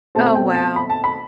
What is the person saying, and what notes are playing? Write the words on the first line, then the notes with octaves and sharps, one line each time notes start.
Oh, wow.
B2 A3 C4 A5
G5
A5
B5
A5
B5